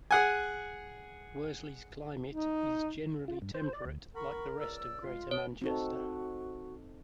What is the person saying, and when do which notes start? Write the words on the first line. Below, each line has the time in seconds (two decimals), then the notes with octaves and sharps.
Worsley's climate is generally temperate, like the rest of Greater Manchester.
0.11 G#4 F#5 G#5
2.30 D#4
3.28 F4
3.42 G2
3.54 C5
3.73 D5
3.85 D2
4.15 A#4 F#5 B5 C#6
4.58 C#2 D5 E6
5.03 E2 G#3 F4 C6
5.31 C#5 E5 A5 D#6
5.62 C4 D#4 F#4 A4